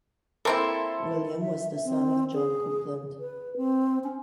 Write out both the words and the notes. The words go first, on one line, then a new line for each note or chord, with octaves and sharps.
William was the son of John Coupland.
A#3 C4 E4 A4 C6
E5
C4
G#4
B4
C4
C#4